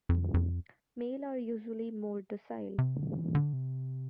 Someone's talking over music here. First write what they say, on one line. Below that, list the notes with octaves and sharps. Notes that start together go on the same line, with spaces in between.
Male are usually more docile.
F2
F2
C3
D3
E3
D3
C3